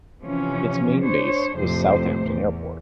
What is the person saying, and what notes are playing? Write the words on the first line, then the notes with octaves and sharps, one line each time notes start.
Its main base was Southampton Airport.
C3 E3 F3 C#4
D4 C5 C#5
F2 A2 C3 C5
E2